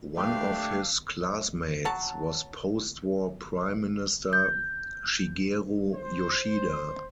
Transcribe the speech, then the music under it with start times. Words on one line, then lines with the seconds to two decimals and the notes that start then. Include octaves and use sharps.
One of his classmates was postwar Prime Minister Shigeru Yoshida.
0.17 A3 D4 G4 F5
1.85 F#3 C#5 A5
4.33 G6
5.94 C5